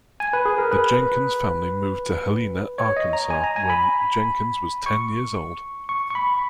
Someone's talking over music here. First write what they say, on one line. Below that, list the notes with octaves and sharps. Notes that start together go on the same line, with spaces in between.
The Jenkins family moved to Helena, Arkansas, when Jenkins was ten years old.
G#5
B4
G#4
A#4
B4
C#5
D#5
A#5
G#5
A#5
G#5
B5
C#6
C#6
C#6
B5